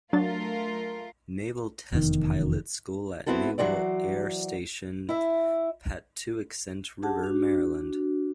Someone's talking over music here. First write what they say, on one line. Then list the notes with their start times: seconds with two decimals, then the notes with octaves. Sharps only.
Naval Test Pilot School at Naval Air Station Patuxent River, Maryland.
0.13 F#3 A3 D4 F4 A#4 A6
1.93 F1 E2 A2 D#3
3.26 B3 C4 E4 F#4 A4
3.58 E3 F#3 F#4 C5 D5
5.09 E4 E5
7.02 D4 G4 G#4 F#5 A5
7.24 D4 F#4